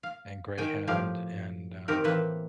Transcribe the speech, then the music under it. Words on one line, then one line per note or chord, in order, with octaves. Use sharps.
and Greyhound and, uh,
F5
D#3 G5 G#5
A2 F3 G4 F5
D#3 C4 G4 A#4
A2 E3 A#3 C4 B4 E5